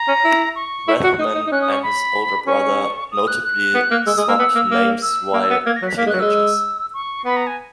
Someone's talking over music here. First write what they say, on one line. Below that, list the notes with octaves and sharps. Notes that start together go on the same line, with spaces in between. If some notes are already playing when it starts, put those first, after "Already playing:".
Rathmann and his older brother notably swapped names while teenagers.
Already playing: A#5
C#4
E4
C#6
E4
F#4
D#4 D#6
D#4
D#4
C#4 F#6
D#6
C#6
B5
C#4 C#6
D#6
F#6
F#6
B3
A#3
G#3 E6
G#3 D#6
A#3 E6
B3
A#3
A#3
E6
A#3
B3
A#3 G#6
A#6
F#3
B6
A#3 B6
G#3
F#6
F#3
G#3 E6
C#6
B3 B5
A#5
G#5